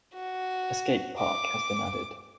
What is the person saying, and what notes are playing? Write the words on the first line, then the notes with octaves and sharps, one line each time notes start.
A skate park has been added.
F#4
D6